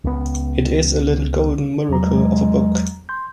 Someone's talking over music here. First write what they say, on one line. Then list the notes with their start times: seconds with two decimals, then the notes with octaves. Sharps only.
It is a little golden miracle of a book.
0.04 C#2 B3
1.89 E2 F#3 A#5
2.04 G#3
3.09 C6 G6